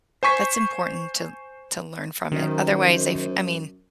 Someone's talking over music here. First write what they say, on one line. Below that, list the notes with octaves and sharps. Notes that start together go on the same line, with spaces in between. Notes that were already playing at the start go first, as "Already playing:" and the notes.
That's important to to learn from it. Otherwise, I f I mean
C5 G#5 C#6 B6
F#2 D#3 C5